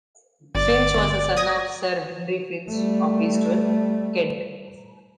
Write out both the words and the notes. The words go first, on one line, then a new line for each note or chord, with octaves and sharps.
Finch was the son of Sir Henry Finch of Eastwell, Kent.
G1 D5
G1
D#6 G#6 A#6
G3 A3